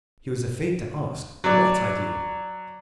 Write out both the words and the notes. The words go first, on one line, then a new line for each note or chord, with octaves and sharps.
He was afraid to ask what idea.
F#3 D5